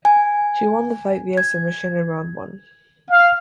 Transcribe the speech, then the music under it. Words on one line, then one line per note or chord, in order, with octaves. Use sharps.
She won the fight via submission in round one.
G#5
G#6
F5